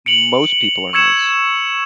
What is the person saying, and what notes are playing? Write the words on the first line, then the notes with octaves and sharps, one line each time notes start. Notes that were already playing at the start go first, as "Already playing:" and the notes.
most people are nice,
C#7 D7 F7 F#7
C#6 E6 G#6 C#7 E7